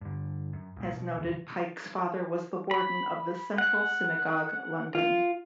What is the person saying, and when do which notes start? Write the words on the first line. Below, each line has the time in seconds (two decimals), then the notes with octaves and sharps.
As noted, Pyke's father was the warden of the Central Synagogue, London.
0.01 G2 D3
0.53 F#2
0.76 C2 A#2
0.96 B2
1.17 D#1 C#2 E3
2.71 B5
3.58 F#5
4.95 F4